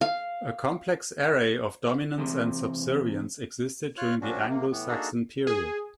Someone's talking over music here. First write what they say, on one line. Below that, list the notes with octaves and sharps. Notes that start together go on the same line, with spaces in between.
A complex array of dominance and subservience existed during the Anglo-Saxon period.
F5
E2 C3
F4 C#5 F6 F#6
F3 G3 C#4 D4 F#4
C3 A#3
A2 E3 B3
A#3 D4 D#4 F#4 G#4 A4
G#4